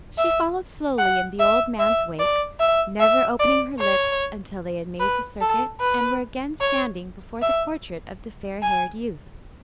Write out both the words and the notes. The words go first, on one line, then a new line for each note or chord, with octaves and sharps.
She followed slowly in the old man's wake, never opening her lips until they had made the circuit and were again standing before the portrait of the fair-haired youth.
E5
F#5
E5
E5
D5
E5
E5
D5
C#5
B4
A4
B4
C#5
E5
G#5